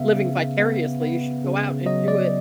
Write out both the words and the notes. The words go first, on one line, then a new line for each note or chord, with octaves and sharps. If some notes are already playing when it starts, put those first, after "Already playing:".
living vicariously. You should go out and do it,
Already playing: C#3 B3 E5 F5
C#3
B3
B3
C#3
F#3 D#5
D5